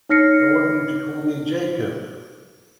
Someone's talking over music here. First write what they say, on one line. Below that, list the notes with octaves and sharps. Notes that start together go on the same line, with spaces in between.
I want you to call me Jacob.
D#4 C#5 F6 A#6 C7 C#7